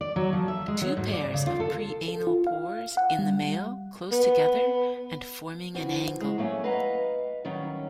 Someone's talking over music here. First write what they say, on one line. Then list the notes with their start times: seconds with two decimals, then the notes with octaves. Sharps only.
Two pairs of preanal pores in the male, close together, and forming an angle.
0.01 D5
0.16 F#3
0.33 F3
0.48 E5
0.68 G#3
0.81 F#3
0.97 G#2
1.13 D5
1.34 C#3
1.47 F4
1.60 A4
2.08 A4
2.27 F4
2.47 F5
2.97 F#5
3.19 G3
4.12 B3
5.74 E3 F3 C4 F#4
6.21 G#3 F#4
6.38 F#3 A3 A#3 C4 C#4
6.64 B4 D#5 F5 F#5 A#5
7.45 D#3 F#3 G3 C#4